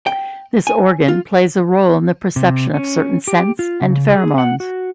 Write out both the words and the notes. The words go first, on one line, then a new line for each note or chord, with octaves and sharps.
This organ plays a role in the perception of certain scents and pheromones.
G5
G#5
F4
C3
C#4
G4
F4
C#3
G#4
F#5
F#4